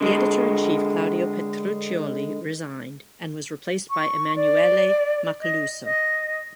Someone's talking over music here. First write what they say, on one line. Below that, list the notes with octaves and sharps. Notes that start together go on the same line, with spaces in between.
The editor-in-chief Claudio Petruccioli resigned and was replaced by Emanuele Macaluso.
D3 G#3
C#6
D5
D#5
D#5